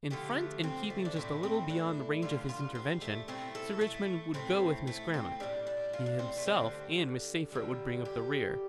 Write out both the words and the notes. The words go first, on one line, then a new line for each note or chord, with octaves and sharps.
In front and keeping just a little beyond the range of his intervention, Sir Richmond would go with Miss Grammont; he himself and Miss Seyffert would bring up the rear.
D3 F3 A3 G4
C4
A3
D4
A2 A3 C4
C4
D4
D3 G3 F4
F4
C4
A3
A2 A3 C4
A4
A3
A2 A3 C4
A3
C4
A2 G3 D4
D4
F4
D4
C4
A3
D3 G3 C4
D3 G3
G4